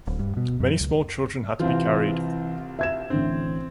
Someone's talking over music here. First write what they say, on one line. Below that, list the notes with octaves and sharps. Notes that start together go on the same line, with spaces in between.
Many small children had to be carried.
D1
G2
B2
F#2
C#2
C2 E3 C4 F4
E5 G#6 E7
A1 D3 C4